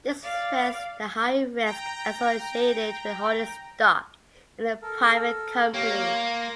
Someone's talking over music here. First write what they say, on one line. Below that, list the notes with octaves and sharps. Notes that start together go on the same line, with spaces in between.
This reflects the higher risk associated with holding stock in a private company.
D5 F5
G5 A#5
A4 A#4
A#3 G4 C#5 F5
C6